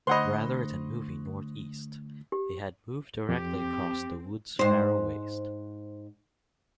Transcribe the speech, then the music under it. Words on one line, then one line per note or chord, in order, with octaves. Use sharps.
Rather than moving northeast, they had moved directly across the wood's narrow waist.
D2 C5 D#5 F#5 B5 C6
G4
F2 C4 G4
G#2 C5